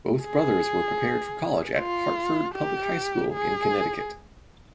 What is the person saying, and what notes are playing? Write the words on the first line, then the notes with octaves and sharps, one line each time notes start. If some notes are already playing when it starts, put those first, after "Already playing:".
Both brothers were prepared for college at Hartford Public High School in Connecticut.
G#4
F4
G4
G#4